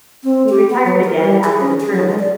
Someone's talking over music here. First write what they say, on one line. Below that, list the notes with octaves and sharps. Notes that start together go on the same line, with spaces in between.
He retired again after the tournament.
C4
G4
B3
F#3
A#4
G3
G#4
C#4
G#4
F#3
G#3
D5